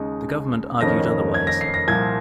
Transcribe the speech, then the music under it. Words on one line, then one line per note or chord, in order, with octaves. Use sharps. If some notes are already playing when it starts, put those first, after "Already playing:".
The Government argued otherwise.
Already playing: D#2 C#3 G#3 D#4
F1 F2 D#3 A#3 C#4 A#6
G#6
A#6
C7
A#6
C2 A#2 F3 A#3 G#6